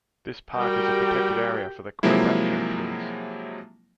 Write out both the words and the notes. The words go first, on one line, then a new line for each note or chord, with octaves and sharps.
This park is a protected area for the quebracho trees.
G3 F#4 G4 A#4 G5
C3 F3 F#3 G#3 A#3 E4